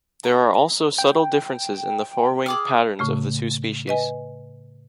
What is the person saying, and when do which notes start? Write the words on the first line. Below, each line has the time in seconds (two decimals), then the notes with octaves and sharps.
There are also subtle differences in the forewing patterns of the two species.
0.24 A#5
0.98 G5
2.46 G#4 D6 F6
2.99 A2 C#3 A3
3.88 B4 D#5 G#5